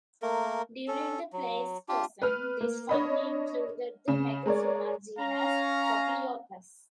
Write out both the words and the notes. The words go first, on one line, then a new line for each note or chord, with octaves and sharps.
During the Pleistocene, this family included the megafauna genus "propleopus".
A3 A#3 A#4
C#4 A4
F#3
D4 F4 G4
B4 F6
A#3
D4 C#5 D#5 B5
C#3
G#3 A#4 C#5 D5
C#4 F5 A#5